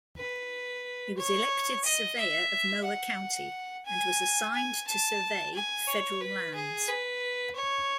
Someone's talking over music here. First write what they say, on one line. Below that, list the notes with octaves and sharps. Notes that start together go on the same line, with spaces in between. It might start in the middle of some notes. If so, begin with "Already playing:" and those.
He was elected surveyor of Mower County, and was assigned to survey federal lands.
B4
C#5
D#5
E5
F#5
G#5
G#5
A5
G#5
C#5
B4
G#4
B4
C#5